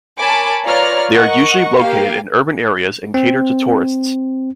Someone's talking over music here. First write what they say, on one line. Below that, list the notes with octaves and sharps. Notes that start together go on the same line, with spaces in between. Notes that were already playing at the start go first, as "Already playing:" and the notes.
They are usually located in urban areas and cater to tourists.
A#4 C#5 G#5 A5 B5 D6
F4 B4 C#5 D5 A#5 F6
A#4 D#5 F#5 C#6
A#3 G4 F5
C4